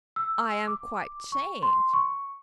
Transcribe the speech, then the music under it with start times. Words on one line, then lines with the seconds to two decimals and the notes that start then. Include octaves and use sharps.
I am quite changed.
0.16 E6
0.67 D6
1.32 C#6
1.63 C6
1.94 C#6